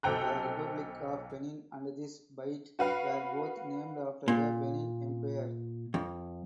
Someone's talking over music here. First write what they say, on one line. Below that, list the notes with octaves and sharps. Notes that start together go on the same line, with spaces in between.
The Republic of Benin and this bight were both named after the Benin Empire.
B1 A4 C5 G5 A#5 F#6
F#4 B4 F5 F#5
A#2
F2